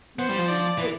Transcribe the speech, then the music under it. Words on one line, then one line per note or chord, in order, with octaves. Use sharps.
Man. So,
B3 C5
G3
F3
D5
E3